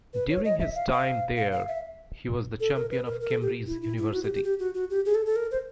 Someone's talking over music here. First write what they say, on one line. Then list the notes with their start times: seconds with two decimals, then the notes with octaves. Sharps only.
During his time there, he was the champion of Cambridge University.
0.14 B4
0.30 C#5
0.45 D#5
0.60 E5
0.75 F5
0.91 F5
1.37 F5
1.52 F5
1.68 E5
2.60 A4
2.75 A#4
2.91 B4
3.06 A#4
3.21 A#4
3.31 A4
3.41 G4
3.67 E4
3.82 E4
3.98 E4
4.12 F#4
4.24 G4
4.34 G4
4.44 G4
4.59 F#4
4.74 F#4
4.90 G4
5.05 G#4
5.15 A4
5.26 A4
5.36 A#4
5.51 C5